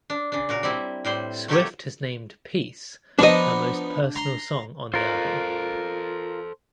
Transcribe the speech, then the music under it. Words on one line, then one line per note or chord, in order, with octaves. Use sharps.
Swift has named "Peace" her most personal song on the album.
D4
C#3 D4
A#2 F#4 A#4
G3 C4 E4
A2 G3 C5
F#3 A3 A#3 G4 A4 C#5
F3 B3 D4 D#4 D#5
A#5 C6
F4 A4 A#4 C5